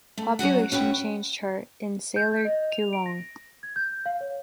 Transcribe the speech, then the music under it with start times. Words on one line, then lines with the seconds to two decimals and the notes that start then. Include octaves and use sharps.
Population change chart in Saller QuLang.
0.18 A3
0.39 F#3 C#4 F#4 F#5
0.72 C#4 F#4 B4 G5
2.16 G6
2.32 G6
2.45 D#5
2.72 F7
2.93 D7
3.06 A#6
3.63 G#6
3.76 G6
4.06 F5
4.21 C#5